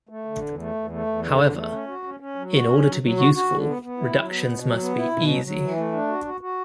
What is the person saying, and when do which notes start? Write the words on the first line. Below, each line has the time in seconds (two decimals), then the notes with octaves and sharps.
However, in order to be useful, reductions must be "easy".
0.09 A3
0.25 D3
0.42 E2
0.58 A3
0.74 E2
0.90 A3
1.07 E2
1.23 D3
1.39 E2
1.55 A3
1.71 C#4
1.87 F#4
2.03 C#4
2.20 C#4
2.36 F#3
2.52 F#4
2.68 C#4
2.84 F#3
3.01 F#3
3.17 F#4
3.34 F#4
3.50 D3
3.65 B3
3.82 B3
3.98 E4
4.14 F#3
4.30 B3
4.46 B2
4.63 F#3
4.79 B3
4.95 E4
5.11 B2
5.27 F#3
5.43 F#3
5.60 E3
5.76 A3
5.92 D4
6.08 F#4
6.25 F#4
6.41 F#4